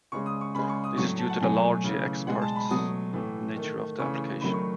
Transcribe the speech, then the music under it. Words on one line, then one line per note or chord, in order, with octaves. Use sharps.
This is due to the largely "ex parte" nature of the application.
C#3 G#3 C#6
D#6
C#6
C#3 G#3 B5
C#6
D#6
A2 F#3 A3 C#6
A5
F#5
B2 F#3 A3 G#5
C#3 E3 A3
B2 G#3 F#5
A5
B5
B2 F#3 A3 D#6
A2 E3 A3
D#3 A3
C#3 E3 A3 C#6
D#3 F#3 A3 B5
C#6